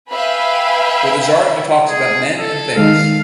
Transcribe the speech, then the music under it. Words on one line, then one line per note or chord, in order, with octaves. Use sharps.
With his art he talks about men and things.
B4 E5 F5 G5 G#5 B5
G#4
A4
D#3 G#3 A4 F5